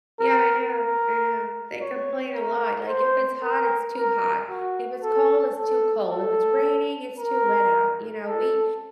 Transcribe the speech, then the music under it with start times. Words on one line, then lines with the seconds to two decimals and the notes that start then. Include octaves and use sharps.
Yeah, I know, I know, they complain a lot, like, if it's hot, it's too hot, if it's cold, it's too cold, if it's raining, it's too wet out, you know, we
0.20 A#4
0.73 A#4
1.81 C#5
2.34 A#4
2.88 C5
3.42 A#4
3.96 A#4
4.49 F#4
5.03 A4
5.58 A4
6.11 A4
7.19 A#4
8.27 A4